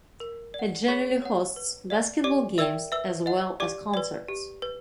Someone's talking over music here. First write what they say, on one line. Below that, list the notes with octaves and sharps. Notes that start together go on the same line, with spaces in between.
It generally hosts basketball games as well as concerts.
A#4
D5
F#5
G#4 C#5 C#6
C#5 F#5
B4
D5 F5
G4 D5 D6
A#4 D5 E5 G5 E6
B4 E5 E6
D#5 F#5
G4 D5 D6
B4 D5
G4
B4